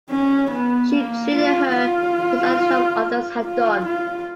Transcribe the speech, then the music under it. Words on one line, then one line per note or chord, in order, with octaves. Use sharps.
She treated her just as the others had done.
C#4
B3
A#3
F4
F4
F4
F4